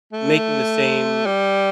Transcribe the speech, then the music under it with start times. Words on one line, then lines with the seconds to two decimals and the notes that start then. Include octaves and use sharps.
making the same
0.12 A3
1.26 G3